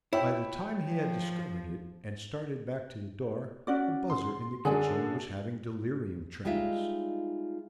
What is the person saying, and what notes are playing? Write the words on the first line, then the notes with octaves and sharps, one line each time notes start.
By the time he had discovered it and started back to the door, the buzzer in the kitchen was having delirium tremens.
E4 C#5 G5
F3
C#4 F#4 D5
C6
F#2 D3 G#4 D5 G#5
G3 G#3 D#4 F4 E5